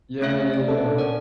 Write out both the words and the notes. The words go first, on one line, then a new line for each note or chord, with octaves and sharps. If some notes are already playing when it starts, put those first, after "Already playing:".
Yeah, yeah, yeah.
A3 C#4 E5
D5
D4 A4
C#4 A#4 F#5